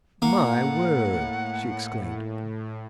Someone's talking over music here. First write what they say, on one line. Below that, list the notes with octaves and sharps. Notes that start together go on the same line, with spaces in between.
'My word!' she exclaimed.
A2 A#3 F#5